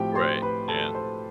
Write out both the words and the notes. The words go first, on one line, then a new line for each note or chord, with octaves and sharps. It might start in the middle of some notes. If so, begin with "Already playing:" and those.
Right, yeah.
Already playing: A2 F3 C4 G4 G5
C5 C6
B4 B5
A4 A5
C5 C6